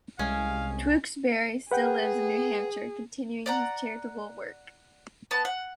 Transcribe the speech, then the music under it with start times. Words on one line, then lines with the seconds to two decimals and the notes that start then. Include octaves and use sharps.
Tewksbury still lives in New Hampshire, continuing his charitable work.
0.19 C2 G#3 C#4 F5
1.72 G#4 B4 F#5 G5
3.46 D5 F#5 A#5
5.31 B3 A5
5.45 F#5